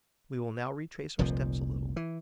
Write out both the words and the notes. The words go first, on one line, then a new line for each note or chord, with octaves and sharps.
We will now retrace our steps a little.
F1 C2 A#2 F3
E3